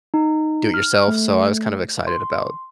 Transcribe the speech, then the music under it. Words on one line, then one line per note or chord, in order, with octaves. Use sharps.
do it yourself. So, I was kind of excited about
D#4
F6
A3
C6